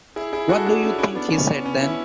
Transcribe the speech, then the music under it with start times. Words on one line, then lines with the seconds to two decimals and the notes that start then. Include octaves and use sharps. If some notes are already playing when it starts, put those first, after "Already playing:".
What do you think he said then?
0.16 E4 G#4
0.33 E4 G#4
0.49 F#4 A4
0.66 D4 F#4
0.83 C#4 E4
0.99 C#4 E4
1.15 B3 D4
1.32 C#4
1.49 B3
1.65 C#4
1.81 C#4 E4